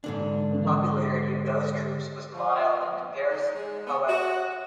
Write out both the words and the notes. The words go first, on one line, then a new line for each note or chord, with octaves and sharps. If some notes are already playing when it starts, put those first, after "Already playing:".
The popularity of those groups was mild in comparison, however.
G#2 D3 D4
F3
D#4
G#3
B3
F#4